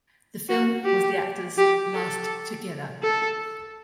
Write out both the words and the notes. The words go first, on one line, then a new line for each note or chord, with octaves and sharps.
The film was the actors' last together.
F#4
G4
G4
A4
A4